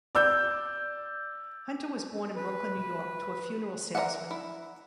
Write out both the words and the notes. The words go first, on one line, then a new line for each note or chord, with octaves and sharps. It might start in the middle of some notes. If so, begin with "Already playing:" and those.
Hunter was born in Brooklyn, New York, to a funeral salesman.
D5 E6 G6
B4
A#4 C5 D5 E5 F#5
E4